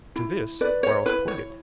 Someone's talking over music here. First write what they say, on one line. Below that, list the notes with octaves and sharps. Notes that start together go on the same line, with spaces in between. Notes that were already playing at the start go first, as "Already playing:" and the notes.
To this Quarles pointed.
E4
B4 D5
C#5
E4 B4
C#5